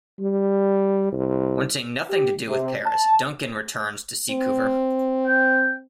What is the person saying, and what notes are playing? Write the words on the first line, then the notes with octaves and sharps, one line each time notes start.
Wanting nothing to do with Paris, Duncan returns to Seacouver.
G3
C2
G4
C3
A5
C4
G5